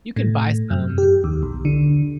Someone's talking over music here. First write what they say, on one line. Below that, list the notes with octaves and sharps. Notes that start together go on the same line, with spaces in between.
you can buy some
A2
F#2
G4
D#2
B1
D3